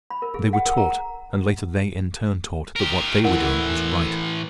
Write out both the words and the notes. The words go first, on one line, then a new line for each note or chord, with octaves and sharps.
They were taught, and later they in turn taught, that what they were doing was right.
B5
A#4
G#4
F#5
A#4
A#5
G4 A#4
A2 E3 E4 A#4 F#5